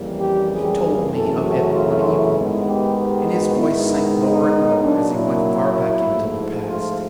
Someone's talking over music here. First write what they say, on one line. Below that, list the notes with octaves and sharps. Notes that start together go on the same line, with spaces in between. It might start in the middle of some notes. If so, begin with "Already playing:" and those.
He told me of it one evening, and his voice sank lower and lower as he went far back into the past.
Already playing: F2 C#3 E3 G3 A#3
G4
G#4
F#2 C#3 E3 A3 A4
F#4
F4
E4
G#2 D#3 G#3 B3
G4
G4
F#4
G#2 D#3 G#3 B3 E4
D#4
A#2 F#3 A#3 D4
E4
G#2 F3 A3
F4